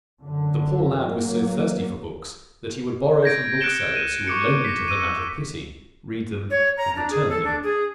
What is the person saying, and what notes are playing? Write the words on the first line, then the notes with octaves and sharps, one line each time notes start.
The poor lad was so thirsty for books that he would borrow from booksellers who would loan them to him out of pity, read them and return them.
F#2 D3
F#3 A#3
G6 G#6 A#6 D7
F#6 A#6 C#7 D7 E7 G7
D#7
C#6 D6 C#7
A#6 B6
E6 C#7 D#7
C#5
A#5
D4
G#4
A4
D4
G#4